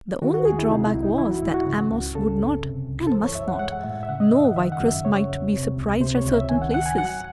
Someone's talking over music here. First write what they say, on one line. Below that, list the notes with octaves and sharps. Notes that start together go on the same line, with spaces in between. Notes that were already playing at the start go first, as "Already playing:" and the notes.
The only drawback was that Amos would not, and must not, know why Chris might be surprised at certain places.
D#3 F#4
F#4
D#2 G#4
E4
C3 D#4
E4
C2
D#4
E3 E4
F#4
G#2 E4
F#4
C#3
C#2
C#3 A4
F#2
C3
C2
A4
E3 C5
C#5
F#2 E5
F#5
G#3 F#5
F#5
A2 E5
E5
C#3 F#5
D#5
F#2 E5
F#5
D#3 E5
F#5
F#2
E5
C#3 C#5
E2
C3
C#2
C3 C5
C#5
C#2
E5
D#3 G#5
F#5
G#2 F#5
G#5
F#3 F#5